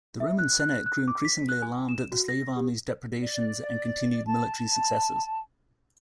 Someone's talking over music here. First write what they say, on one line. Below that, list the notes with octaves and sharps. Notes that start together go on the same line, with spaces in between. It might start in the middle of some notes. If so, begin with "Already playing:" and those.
The Roman Senate grew increasingly alarmed at the slave-army's depredations and continued military successes.
E5
F#6
F#6
F#6
D6
B6
F#6
G#5
E7
F#4
A#6
G4
D5
A5